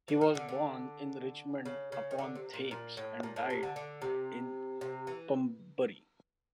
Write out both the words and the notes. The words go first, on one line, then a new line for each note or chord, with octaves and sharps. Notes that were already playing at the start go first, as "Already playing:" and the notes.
He was born in Richmond-upon-Thames and died in Pembury.
E3
D#3
D3
D3
C#3
C#3
D#3
D3
C3
A#2
A#2
A2
A#2
A2
C3
D3
D3
C3
C3
E3